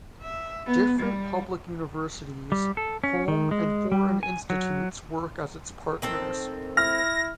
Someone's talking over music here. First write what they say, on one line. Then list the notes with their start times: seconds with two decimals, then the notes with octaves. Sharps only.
Different public universities, home and foreign institutes work as its partners.
0.22 E5
0.66 B3
0.99 G3
2.52 G3
2.77 A4
3.04 C#4
3.28 D#3
3.51 G#3
3.92 G3
4.23 G#5
4.50 F#3
6.02 D#3 C4 A4
6.77 E4 F6 A#6